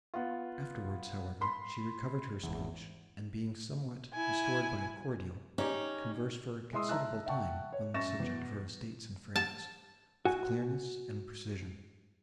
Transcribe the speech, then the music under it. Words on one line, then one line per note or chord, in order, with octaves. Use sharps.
Afterwards, however, she recovered her speech, and, being somewhat restored by a cordial, conversed for a considerable time, on the subject of her estates in France, with clearness and precision.
B3 F4
B5 C6
G#1 E2
E4 G#5
C#4 D#4 G4
G#3 E4 E5 C6 D#6 E6
E5 A5 A#5 E6 F#6
E5 F#5 G5 A5 C#6
C#5
F#2 E5 C#6 A6 A#6 E7
E2 B2
A5
F#4 G#5